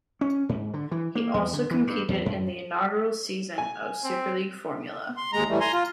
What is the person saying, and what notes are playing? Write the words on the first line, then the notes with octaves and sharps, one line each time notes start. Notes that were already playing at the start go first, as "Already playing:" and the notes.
He also competed in the inaugural season of Superleague Formula.
C#4
G#2
D3
E3
A#3
E2
D3
E3
G2
E2
F#2
G#5
C4
C6
D#2 G#3 A#5
A2 E3 G3 A3
G#5 A#5 C6
F4